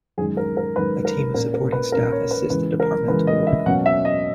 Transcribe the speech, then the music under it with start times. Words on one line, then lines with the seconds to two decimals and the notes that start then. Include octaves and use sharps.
A team of supporting staff assist the departmental work.
0.18 F#2 D#3 G#3 G#4
0.37 A#4
0.57 A#4
0.76 F#2 D#3 G#3 B4
1.05 A#4
1.34 A#2 A#3 C#4 A#4
1.54 A#4
1.72 B4
1.92 A#2 A#3 C#4 A#4
2.12 C#5
2.31 B4
2.50 C#3 E3 G#3 B4
2.80 A#4
3.07 C#3 E3 G#3 B4
3.27 D#5
3.47 E5
3.66 B2 F#3 A#3 C#4 F#5
3.86 E5
4.05 D#5